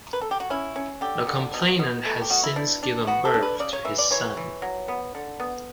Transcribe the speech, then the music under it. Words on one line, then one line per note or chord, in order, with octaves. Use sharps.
The complainant has since given birth to his son.
B4
A4
G4
F#4
C#4 E4
C#4
D3 G4
D3
B2
B2
A3
G4
B2 F#4
E4
D4 E4
D4
B3 F#4
A4
D4
B4
C#3 D5
C#5
E3 E5
D5
E3 C#5
E3
F#3
B3
D3
B3